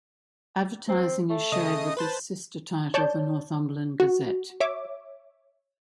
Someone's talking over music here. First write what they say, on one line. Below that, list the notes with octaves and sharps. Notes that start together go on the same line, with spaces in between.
Advertising is shared with its sister title the "Northumberland Gazette".
C4
A3
C#3 D#5 D#6
B4 C5 A5
C#5 D5 A5 G6
F#4
C#5 E5 D6